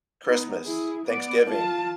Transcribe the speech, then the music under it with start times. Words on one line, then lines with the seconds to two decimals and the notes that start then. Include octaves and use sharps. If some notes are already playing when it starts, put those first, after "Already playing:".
Christmas, Thanksgiving,
0.24 B3 D#4
0.64 E4 G#4
1.06 B3 D5
1.49 F4 A5